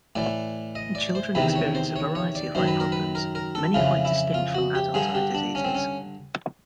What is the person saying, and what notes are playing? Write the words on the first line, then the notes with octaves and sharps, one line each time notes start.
Children experience a variety of eye problems, many quite distinct from adult eye diseases.
A2 E3 D5
D#5
D5
C5
E2 C3 D#3 B4
C#5
C5
C#5
C#5
D5
F#2 D#3 C5
B4
A#4
B4
A#4
A#4
A4
F2 C#3 E3 F4
E4
F4
F#4
G4
G2 D3 G#4
G4
D4
C#4
C4
C#4